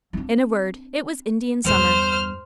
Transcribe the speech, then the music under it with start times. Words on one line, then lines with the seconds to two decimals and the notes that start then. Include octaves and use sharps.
In a word, it was Indian summer.
0.13 C4 D4
1.65 E2 G2 C5 F6